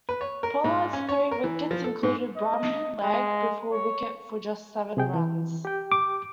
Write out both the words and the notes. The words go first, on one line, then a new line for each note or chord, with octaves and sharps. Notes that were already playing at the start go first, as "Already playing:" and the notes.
Pollard's three wickets included Bradman, leg before wicket for just seven runs.
B4
C#5
A#4
G#2
C#4
C#5
A#4
E3
F3
A4
G#2
D#5
G#3
C#5
C3 G#4 G5
E3
G4 G5
D6